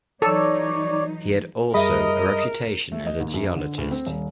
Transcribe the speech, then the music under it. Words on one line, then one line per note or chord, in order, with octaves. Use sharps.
He had also a reputation as a geologist.
E3 F#3 D#4 A4 C#5 D5
F#2 G3 G#4 A#4 D#5 E5 B5
A3
D#5
D#2
F#2
D3
D2
C4
D#1